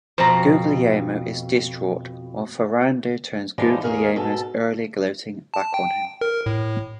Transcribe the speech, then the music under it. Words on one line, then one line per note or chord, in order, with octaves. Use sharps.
Guglielmo is distraught while Ferrando turns Guglielmo's earlier gloating back on him.
F2 B2 C5 A#5
E3 F3 G3 G#3 D4 D#4
D#2 D#3 G#4 A#4 F5
G#2 B2 A4
A5
G5
A#4
A2